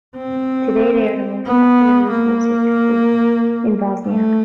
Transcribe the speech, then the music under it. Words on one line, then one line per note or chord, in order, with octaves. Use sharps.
Today they are the most popular root music group in Bosnia.
C4
B3
A#3
A3